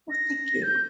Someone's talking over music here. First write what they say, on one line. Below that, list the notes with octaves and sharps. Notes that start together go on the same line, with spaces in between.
Well, thank you.
A#6
G6